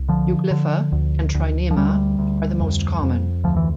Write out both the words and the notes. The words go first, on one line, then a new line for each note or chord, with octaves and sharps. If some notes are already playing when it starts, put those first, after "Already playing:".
"Euglypha" and "Trinema" are the most common.
Already playing: C2
D3 F3
D3
D2
D2
F3
D2 G3
D2
F2
F2
D2 F3
E3